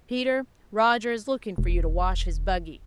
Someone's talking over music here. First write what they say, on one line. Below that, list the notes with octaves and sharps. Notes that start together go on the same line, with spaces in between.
Peter, Roger is looking for you to wash his buggy.
E1